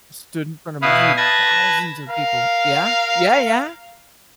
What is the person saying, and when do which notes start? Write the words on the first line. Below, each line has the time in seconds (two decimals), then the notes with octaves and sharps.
stood in front of many thousands of people. Yeah? Yeah, yeah?
0.82 B2 E4 B4 F5 D#6
1.17 B4 A5 G#6 A#6
2.09 A#4 F5